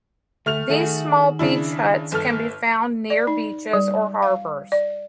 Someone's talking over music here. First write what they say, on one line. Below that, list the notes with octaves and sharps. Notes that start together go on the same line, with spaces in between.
These small beach huts can be found near beaches or harbours.
D2 A3 F6 F7
D#3 A3 F#4 G#4 A4
C#3 D4 E4
G1 A4 F6
D5
D#4
G3
F5
D5